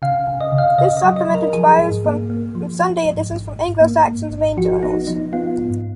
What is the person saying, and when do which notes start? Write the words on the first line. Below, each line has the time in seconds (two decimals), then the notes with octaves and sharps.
This supplement inspires from Sunday editions from Anglo-Saxons main journals.
0.02 C#3 F5
0.27 C#3
0.41 D#5
0.52 C#3
0.58 F5
0.78 C#3 D#5
0.97 D#5
1.03 F#3
1.16 D#5
1.29 F#3
1.35 A#4
1.53 F3 G#4
1.79 G#2
2.05 A#3
2.30 A#3
2.55 F3
2.80 F3
3.05 G#2
3.31 G#1
3.56 G#2
3.81 A#3
4.06 G#2
4.31 G#1
4.57 F3 F#4
4.82 B3 D#4
5.07 F3 D#4
5.33 B3 F4
5.58 G#2